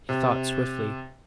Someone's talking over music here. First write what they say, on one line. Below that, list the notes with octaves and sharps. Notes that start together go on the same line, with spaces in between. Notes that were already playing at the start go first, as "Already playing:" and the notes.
He thought swiftly.
C3